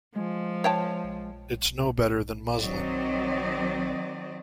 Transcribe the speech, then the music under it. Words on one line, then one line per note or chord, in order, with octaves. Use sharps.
It’s no better than muslin.
F3 G#3
C#5 G5 A5
D#3 F#3 C4 D5 D#5